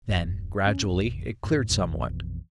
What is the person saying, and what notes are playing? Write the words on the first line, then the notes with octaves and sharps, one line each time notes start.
Then, gradually, it cleared somewhat.
D#1 F#2
D2 C#4
A1 F2
F#2 A2
A#1 F2 B2 E3